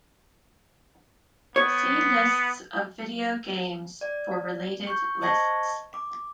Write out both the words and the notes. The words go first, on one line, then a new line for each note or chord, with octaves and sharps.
See Lists of video games for related lists.
B3 C#5
D5
C#6 G6
C5 D#5 A5 C#6 G#6 A#6
D6